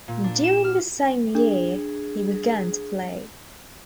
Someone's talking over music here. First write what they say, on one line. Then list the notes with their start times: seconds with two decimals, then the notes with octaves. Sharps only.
During the same year he began to play.
0.08 A#2
0.24 D4
0.44 E7
0.64 F6
1.35 D4 G#4